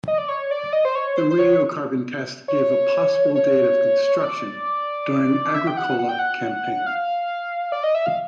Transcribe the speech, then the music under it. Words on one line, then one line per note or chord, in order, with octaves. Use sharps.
The radiocarbon test gave a possible date of construction during Agricola campaign.
D#5
D5
C#5
D5
D#5
C5
C#5
C5
C5
C#5
C#5
C#5
C#5
D5
E5
G5
F#5
F#5
G5
F#5
F5
D5
D#5
E5
F5